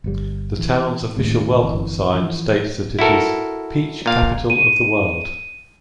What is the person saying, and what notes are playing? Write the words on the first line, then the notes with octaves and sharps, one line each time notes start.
The town's official welcome sign states that it is "Peach Capital of the World".
G1 A#2 G3
E3
D#2 A2 C3
G1 C3 E3
E3 F3
E4 F#4 A4 A#4
A#2 F5
D#7